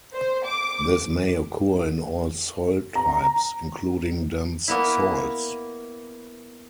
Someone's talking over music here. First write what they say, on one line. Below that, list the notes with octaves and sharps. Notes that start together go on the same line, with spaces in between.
This may occur in all soil types including dense soils.
C5
D6
A#5
A#3 B3 E4